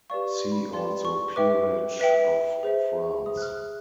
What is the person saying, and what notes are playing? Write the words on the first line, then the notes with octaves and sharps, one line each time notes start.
See also Peerage of France.
G4 B4 D5 F5 C#6
C6
B5
G4 B4 D5 F5 C6
C#6
B4 E5 G5 D6
B4 E5 G5
G#4 C5 E5
G#4 C5 E5 D#6
F#6
F6
F#6